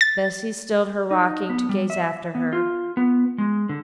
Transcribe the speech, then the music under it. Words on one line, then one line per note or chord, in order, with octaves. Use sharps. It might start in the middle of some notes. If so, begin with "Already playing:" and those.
Bessy stilled her rocking to gaze after her.
A6
D#4
B3
G3
E5
B3
F4
B3
G#3
D3